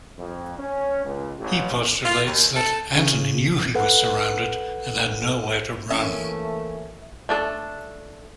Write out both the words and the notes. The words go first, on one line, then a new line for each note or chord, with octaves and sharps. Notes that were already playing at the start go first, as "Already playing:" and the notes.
He postulates that Antony knew he was surrounded and had nowhere to run.
F2
C#4
C#2
A1
F4
D#2
A4
C#3
A4 B4 F#5
E3 A3 A#3 C#4 E5
A3 D4 A4